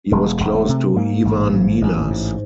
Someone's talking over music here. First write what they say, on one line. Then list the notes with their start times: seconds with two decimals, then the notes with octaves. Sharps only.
He was close to Ivan Milas.
0.12 E1 G#3
0.40 E1
0.55 A3
0.69 C3
0.96 G#2 A#3
1.25 A1
1.53 G#2
1.81 A1
2.10 G#2